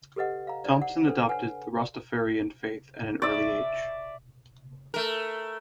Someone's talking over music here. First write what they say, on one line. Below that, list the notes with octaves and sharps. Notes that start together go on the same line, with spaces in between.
Thompson adopted the Rastafarian faith at an early age.
G4 A4 B4 D#5 F#5
F5 A#5
D#4 C5 D5
F#5
D4 A4 B4 C5
B4 C#5 F#5 G#5
D5 E5
A3 A#4